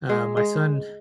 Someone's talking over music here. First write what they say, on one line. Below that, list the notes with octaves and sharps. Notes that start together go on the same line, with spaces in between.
uh, my son
G#3
G#3